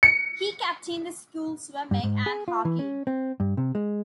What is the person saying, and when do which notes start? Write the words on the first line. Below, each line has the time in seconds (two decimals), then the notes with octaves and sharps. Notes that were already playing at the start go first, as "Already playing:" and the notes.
He captained the school's swimming and hockey.
0.03 C#7
1.91 G2
2.03 G#2
2.26 G#4
2.48 F4
2.65 E3
2.79 C#4
3.07 C4
3.40 G2
3.57 C3
3.75 G#3